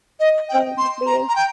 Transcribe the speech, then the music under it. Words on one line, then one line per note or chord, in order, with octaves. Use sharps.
Oh, man.
D#5
G5
C6
A#5
A#5
G5